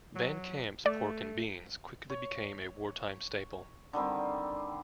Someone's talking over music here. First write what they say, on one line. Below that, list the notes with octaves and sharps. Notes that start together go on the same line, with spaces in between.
Van Camp's pork and beans quickly became a wartime staple.
F#3
A3 D5
C#5
D3 D#3 G3 C4